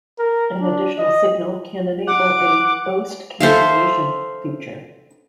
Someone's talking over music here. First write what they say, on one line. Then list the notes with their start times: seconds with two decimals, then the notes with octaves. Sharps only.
An additional signal can enable a "Ghost Cancellation" feature.
0.19 A#4
0.61 D4
0.98 D#5
2.07 F#5 D6
3.40 A4 C5 E5 F5